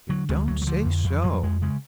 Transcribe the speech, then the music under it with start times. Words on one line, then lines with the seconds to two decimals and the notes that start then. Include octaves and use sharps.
"You don't say so!"
0.09 D3 F#3
0.29 D2 G#3
0.48 D2 F#3
0.62 F#3
0.67 D3 F3
0.85 F2
1.04 F2
1.24 F2 F#3
1.43 F2 G#3
1.62 C#3 G#3